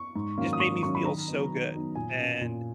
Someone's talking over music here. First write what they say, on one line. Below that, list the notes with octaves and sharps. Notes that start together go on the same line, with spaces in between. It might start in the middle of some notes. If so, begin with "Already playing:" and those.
just made me feel so good. And
Already playing: C#6
G#2
D#3 F#3 A#3 C#4
D#6
G#2 C#6
D#3 F#3 A#3 C#4 C#6
B5
D#3 A#5
F#3 B3 D#4
D#3
F#3 B3 D#4
A#2 G#5
A#3 C#4
A#2